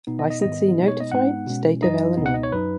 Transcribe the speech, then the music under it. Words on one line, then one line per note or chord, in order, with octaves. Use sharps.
Licensee notified State of Illinois.
B2 B3 D#4
D#5
D#5
G#2 D#3 B3 D#5
B2 G#3 B3 D#4
C#5
D#5
G#2 G#3 B3 D#4 F#5
B2 G#3 C#4
F#2 F#3 D#4 D#5
C#2 B2 B3 D#4
F#5
D#5
C#5
F#2 F#3 D#4 B4